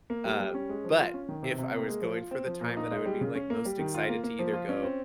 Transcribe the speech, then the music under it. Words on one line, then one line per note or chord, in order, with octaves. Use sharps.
Um, but, if I was going for the time that I would be, like, most excited to either go,
A#3
G3
G3
C#4
G#3
F3
F4
C#4
D#3
C3
C3
A#3
G#3
F3
F4
C4
F3
A#2
D#4
G#3
G3
C#3
C#4
A#3
G3
D#3
F4
A#3
A#3
F3
F4
C#4
C4